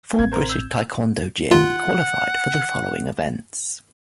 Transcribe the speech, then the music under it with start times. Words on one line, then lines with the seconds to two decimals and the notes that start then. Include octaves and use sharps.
Four British taekwondo jin qualified for the following events.
0.19 A1 C4 G#6
0.32 A#4 C5
0.49 E6 G6
1.51 D#2 F4 F#5